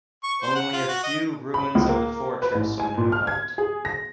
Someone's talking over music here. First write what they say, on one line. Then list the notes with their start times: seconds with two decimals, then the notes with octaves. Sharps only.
Only a few ruins of the fortress are now left.
0.23 C#6
0.42 C5
0.55 F#5
0.73 F4
0.88 F#4
1.03 D#5
1.54 B5
1.75 C#2
1.89 A#3
2.42 B4
2.55 A1
2.80 G#5
2.98 A#2
3.12 F6
3.27 G#6
3.58 G#4
3.85 A#6